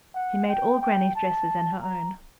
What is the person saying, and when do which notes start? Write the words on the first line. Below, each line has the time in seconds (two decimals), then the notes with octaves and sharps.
She made all grannie's dresses and her own.
0.15 F#5
0.48 G5
0.82 G5
1.15 A5
1.82 A#5